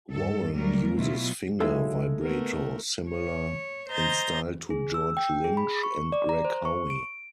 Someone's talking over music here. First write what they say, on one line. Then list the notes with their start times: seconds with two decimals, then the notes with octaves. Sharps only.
Warren uses finger vibrato, similar in style to George Lynch and Greg Howe.
0.11 G2 A4
0.55 F#3 G3 A3 A#4
0.96 B2 F#3 E4 F4
1.60 F#3 G#3 D#4 E4 A4 E5 F5
2.22 A3 B3 A#4
3.09 C#5
3.91 C5 D#5 A#5 G6 A6
4.70 G#4
4.94 E6
5.17 G5
5.44 G#4
5.57 B5
5.83 C#6
6.12 D5
6.29 A#5
6.45 C5
6.65 C#6
6.90 D7